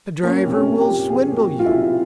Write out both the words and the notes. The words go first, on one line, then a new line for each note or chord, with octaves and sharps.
"The driver will swindle you."
A#3 C#4
C3
C#4
A#3
G4
F3
C3 G#4
A#3
F#4
F3
F4
E4
C3